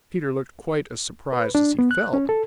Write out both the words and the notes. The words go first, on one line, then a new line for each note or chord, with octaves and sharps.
Peter looked quite as surprised as he felt.
B4
D4
B3
F#6
C#4
A4